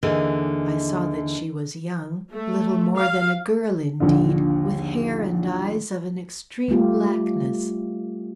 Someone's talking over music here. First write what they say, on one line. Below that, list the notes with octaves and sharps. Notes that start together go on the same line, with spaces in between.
I saw that she was young, little more than a girl indeed, with hair and eyes of an extreme blackness.
D#2 D3 E3 G#4
A3
F5
A#1 D#2 A#2 D3
G3 A3 F4 G4